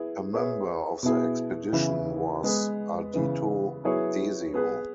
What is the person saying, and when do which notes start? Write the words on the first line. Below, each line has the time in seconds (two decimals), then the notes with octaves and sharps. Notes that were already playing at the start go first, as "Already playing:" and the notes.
A member of the expedition was Ardito Desio.
Already playing: B3 E4 G#4
0.33 B3 G#4 C#5 E5
1.03 B2 B3 E4 G#4
1.73 C#3 E3 B3 E4
2.44 G#3 B3 G#4 B4
3.13 C#3 E3 B3
3.84 F#3 B3 E4 G#4 C#5
4.54 B3 G#4 B4